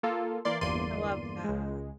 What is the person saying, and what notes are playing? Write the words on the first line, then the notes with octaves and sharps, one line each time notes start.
I love that.
A#3 F4 A4 F5
E3 A#3 D5 C6
G1 E2 A#3 D5 C6 D#7
C#2 G#3